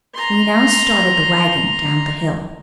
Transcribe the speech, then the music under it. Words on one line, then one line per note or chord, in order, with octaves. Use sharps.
We now started the wagon down the hill.
A#5 C6